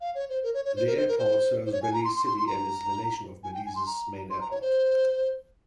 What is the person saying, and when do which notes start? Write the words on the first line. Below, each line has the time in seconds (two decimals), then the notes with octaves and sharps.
The airport serves Belize City and is the nation of Belize's main airport.
0.01 F5
0.15 C#5
0.30 C5
0.43 A#4
0.54 C#5
0.65 C#5
0.76 C5
0.87 A#4
0.97 C5
1.08 A#4
1.19 C5
1.65 C5
1.72 C#5
1.83 G#5
1.93 A#5
2.05 C6
2.15 C6
2.26 C6
2.37 C6
2.47 A#5
3.44 G#5
3.54 G5
3.66 G#5
3.76 C6
3.87 A#5
4.30 C6
4.41 A#5
4.51 C#5
4.62 C5